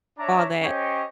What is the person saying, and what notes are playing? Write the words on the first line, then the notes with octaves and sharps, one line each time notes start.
All that.
D4 C#5 D5 E5 A#5
C#4 G4 C5 C#5 D#5 G5